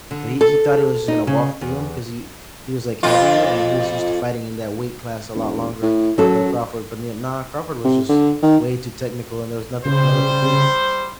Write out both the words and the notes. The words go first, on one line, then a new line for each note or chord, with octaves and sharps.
So, he he thought he was just gonna walk through him 'cause he he was, like, heavier, and he was used to fighting in that weight class a lot longer than Crawford, but, you know, nah, Crawford was just way too technical, and there was nothing Canelo could do.
D3
A4
D#4
C#3
E2
F2 F4
E1
A2
F#2 F#3 A4
C3
D3
D#3
C#3 G3 C5